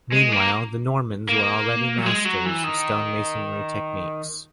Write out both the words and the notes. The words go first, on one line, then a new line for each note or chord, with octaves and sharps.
Meanwhile, the Normans were already masters of stonemasonry techniques.
G#3
A#3
A#3
F#3
G#3
F#3
E3
D#3